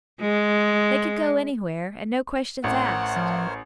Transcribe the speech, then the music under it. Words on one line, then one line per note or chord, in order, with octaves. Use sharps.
They could go anywhere, and no questions asked.
G#3
A1 A#4 C5 C#5 F#5
F3